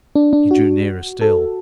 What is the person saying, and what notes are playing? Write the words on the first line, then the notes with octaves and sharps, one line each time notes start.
He drew nearer still.
D4
D4
F#4
A4